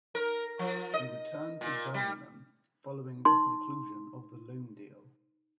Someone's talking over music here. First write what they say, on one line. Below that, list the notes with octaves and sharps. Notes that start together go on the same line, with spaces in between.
He returned to Birmingham following the conclusion of the loan deal.
A#4
F3
D#5
A#2
G3
D#4 C6